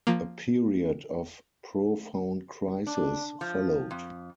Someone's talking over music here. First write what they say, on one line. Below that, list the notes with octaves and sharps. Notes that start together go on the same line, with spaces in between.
A period of profound crisis followed.
F3 A#3
D4
F3
F2